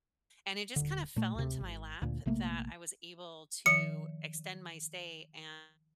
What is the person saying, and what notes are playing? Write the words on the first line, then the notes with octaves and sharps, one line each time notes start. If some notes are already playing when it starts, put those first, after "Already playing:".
And it just kind of fell into my lap that I was able to extend my stay and
D#1 D3
A#2 A3
D2 C3
G#1
D2 A#2
A#1 C3 A3 A#3
D#3 F3 C#7